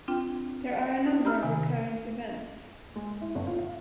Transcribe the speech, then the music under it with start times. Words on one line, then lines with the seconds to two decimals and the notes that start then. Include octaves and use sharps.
There are a number of recurrent events.
0.08 C4 D4 F4 G5
1.07 D#4
1.25 G4 D#5 A#5 B5 E6 F6
1.43 C3 D#3 G#5
2.96 G#3
3.21 E4
3.35 G1
3.47 F4
3.59 F5